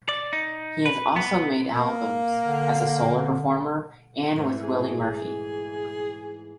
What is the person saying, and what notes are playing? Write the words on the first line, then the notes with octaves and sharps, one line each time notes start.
He has also made albums as a solo performer and with Willie Murphy.
D5
D#4
B4
B3
A#3
D3
G#2 E3 A3
G#4